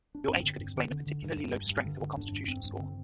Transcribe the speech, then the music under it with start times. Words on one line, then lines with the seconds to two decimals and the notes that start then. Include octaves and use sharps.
Your age could explain a particularly low Strength or Constitution score.
0.15 D4
0.28 G2 C4
0.44 D3
0.59 G2
0.76 D3
0.91 D3
1.07 D3
1.22 G2
1.38 G2
1.54 G2
1.70 G2
1.86 D3
2.01 D3
2.17 G2 D4
2.32 G2
2.48 G2 C4
2.64 G2
2.79 D3 C4